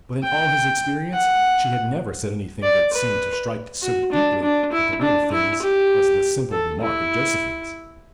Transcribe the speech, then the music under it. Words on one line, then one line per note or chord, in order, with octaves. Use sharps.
But in all his experience she had never said anything that seemed to strike so deeply at the root of things as this simple remark of Josephine's.
G5
F#5
D5
B4
F#4
D4
D4
E4
D4
E4
G4
A4
E4